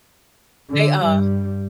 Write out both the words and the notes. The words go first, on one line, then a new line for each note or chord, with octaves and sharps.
They are.
D3
G2 G3